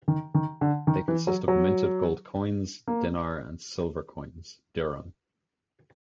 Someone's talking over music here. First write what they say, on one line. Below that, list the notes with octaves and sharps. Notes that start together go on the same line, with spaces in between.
They consist of minted gold coins, dinar, and silver coins, dirham.
D#3
D#3
D3
D#3
E3
F#3
F#3
A#3